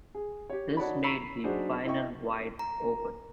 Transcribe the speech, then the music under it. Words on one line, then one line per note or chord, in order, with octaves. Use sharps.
This made the final wide open.
G#4
G4 C#5
D#4 F#4 C#5 D5 A5 B5
A#5 B5 C#6 E6 B6 C7
F#3 D4 D#4 F#4 G#4 C5
E4 D#5 G5 C#6
A#5